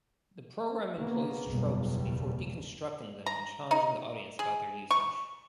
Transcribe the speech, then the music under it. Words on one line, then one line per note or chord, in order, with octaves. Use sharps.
The programme employs tropes before deconstructing them and challenging the audience about their usage.
C#3 A#3 B3
F#1 B1 E2 B2 G3 A#3
A#5
D#4
G#4
C#6